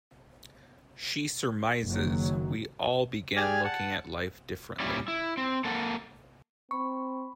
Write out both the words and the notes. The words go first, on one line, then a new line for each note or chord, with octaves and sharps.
She surmises, We all began looking at life differently.
F#1 D#3 F#3
G4 G#4 D5 G#5 F6
F#5 A5
A#2 G3 C#4 E4 D5
E4
C4
A#3 A4 F#5
C4 B5 C#6